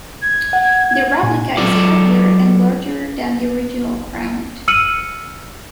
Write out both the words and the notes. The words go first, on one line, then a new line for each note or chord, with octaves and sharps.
The replica is heavier and larger than the original Crown.
G#6
F#5
A#2 G#5
F#3 G#3 F4 A4 D5
E6 F6 C#7 D#7 F#7